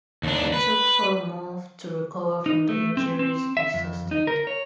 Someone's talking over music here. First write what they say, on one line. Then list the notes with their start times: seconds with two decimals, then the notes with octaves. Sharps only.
He took four months to recover from the injuries he sustained.
0.23 D#2 D4
0.54 B4
2.46 D#4
2.69 A3
2.97 C4
3.19 C4
3.57 E5
3.74 F2
4.11 D#4
4.27 A#4
4.47 C#5